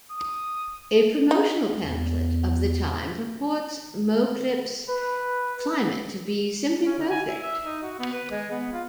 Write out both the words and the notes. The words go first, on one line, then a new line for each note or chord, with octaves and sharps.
A promotional pamphlet of the time purports Moclips' climate to be "simply perfect".
D#6
D#4
E2
B4
C#4
D3
G#5
E4
E5
D#4
F#4
B3
B4
G#3
B3
F4